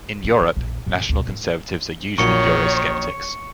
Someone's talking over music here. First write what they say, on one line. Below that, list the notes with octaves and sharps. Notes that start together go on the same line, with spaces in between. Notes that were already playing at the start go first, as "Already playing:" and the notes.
In Europe, national conservatives are usually eurosceptics.
C#4 E4
D3
A#1 E2
A2 D3
D2 B2
G#2
A#1 A#2 D#3 F#3 C#5 C#6 C#7